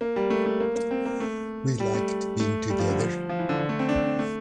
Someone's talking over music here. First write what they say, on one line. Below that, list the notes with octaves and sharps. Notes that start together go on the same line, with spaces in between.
We liked being together.
A#3
G3
A3
A3
A#3
A#3
C4
A#3
A3
G3
A3
A3
G3
F3
D3
F3
F3
E3
D3
D3
A3
C4
D4
C4
A3